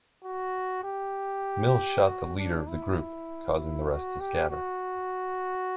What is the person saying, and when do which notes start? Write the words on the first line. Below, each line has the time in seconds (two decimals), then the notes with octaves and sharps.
Mills shot the leader of the group, causing the rest to scatter.
0.24 F#4
0.84 G4
2.07 F#4
2.37 D4
2.68 E4
3.90 F#4
4.20 G4
4.51 F#4